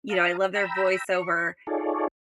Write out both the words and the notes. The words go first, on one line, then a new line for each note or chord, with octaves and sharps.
you know, "I love their voiceover,"
F5 A5 A#5 D#6 F6
G5 A#5 B5 E6
C#6
D#4 F4 G#4 A4 C#5 D5